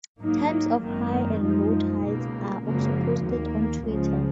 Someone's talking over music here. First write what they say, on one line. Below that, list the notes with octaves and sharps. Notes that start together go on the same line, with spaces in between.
Times of high and low tides are also posted on Twitter.
G#2 F#3 A#3 D#4
G#1 F#2 D#3 A#3
F#2 F3 G#3 D#4
C#2 B2 A#3
G#1 F#2 C#3 F3 A#3
D#2 D#3 A#3
C#2 C#3 F3 G#3